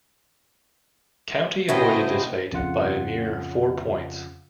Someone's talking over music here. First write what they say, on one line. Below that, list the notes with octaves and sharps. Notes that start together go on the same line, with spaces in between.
County avoided this fate by a mere four points.
A2 C#3 E4 F#4 B4 C5 D#5 G5
F2 C#3 F4 F#5